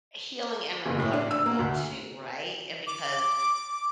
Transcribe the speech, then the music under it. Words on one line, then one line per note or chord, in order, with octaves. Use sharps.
healing and recovering well too, right? And because
F#1
A2
D4
E6
A#3
D2
D6